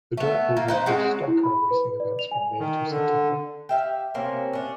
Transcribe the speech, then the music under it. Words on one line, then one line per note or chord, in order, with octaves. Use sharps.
The dirt oval hosts stock car racing events from May to September.
A3 B3
A#3
D#4 B4 C5
G#3 C4 C#4 F#4
E4
B5
B4
D5
F7
G#5
D#3
D3
G4 E5 F5
C3 A#3 C4 C#4
C#4 D4